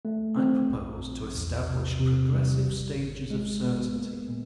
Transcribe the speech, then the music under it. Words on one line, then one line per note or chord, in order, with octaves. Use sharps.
I propose to establish progressive stages of certainty.
A3
C4
A#1
A#1
E2
C3
C3
G3
G#1
G#1
G#3
B3
A#3
A#2